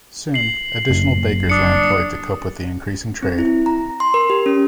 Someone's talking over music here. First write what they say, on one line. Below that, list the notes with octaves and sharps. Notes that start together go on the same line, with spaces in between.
Soon, additional bakers were employed to cope with the increasing trade.
C7 F#7
F#1
D4 D#6 C#7
C4
E4
A#5
C6
A#4
G4
C#4